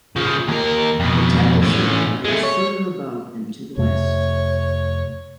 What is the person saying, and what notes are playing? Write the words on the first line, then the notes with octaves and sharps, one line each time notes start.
The temple cemetery is further above and to the west.
C#3 F3
D#2 A#4
F2 B2
A2 C#4
G#3 A3
C#5
F2 C3 A3 C#5